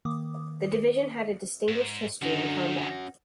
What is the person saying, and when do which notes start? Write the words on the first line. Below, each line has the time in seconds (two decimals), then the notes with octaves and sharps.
The division had a distinguished history in combat.
0.05 D#3 A#3 D6 D#6
1.68 G#2
2.22 D3 F3 C#4 D#4 F#4